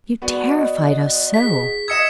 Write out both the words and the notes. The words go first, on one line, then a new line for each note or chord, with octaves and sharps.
You terrified us so.
B3 F#4 D5
D#5
G#4 B6
D#5 D#6 E6 G#6 C#7 E7